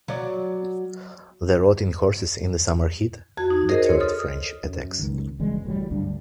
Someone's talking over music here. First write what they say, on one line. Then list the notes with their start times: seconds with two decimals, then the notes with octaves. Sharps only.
The rotting horses in the summer heat deterred French attacks.
0.08 F#3 D5
3.37 F2 F#4 G#6
3.50 D#4
3.69 G#4 A#4 C5 D#5
3.87 C#5 C6
4.00 A4 D#6 F6
4.64 F#2
4.98 C#2 D#3
5.39 F#1 E3 G3 G#3
5.65 A1 A2 F#3 G3
5.91 D2 G2 G3 D4